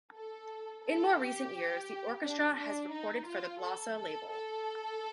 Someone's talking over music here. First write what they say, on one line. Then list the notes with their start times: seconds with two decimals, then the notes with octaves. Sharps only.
In more recent years, the orchestra has recorded for the Glossa label.
0.15 A4
0.85 A4
1.20 G4
2.23 D4
2.57 D4
2.91 D#4
3.27 F4
3.61 A4
3.96 A4
4.30 A4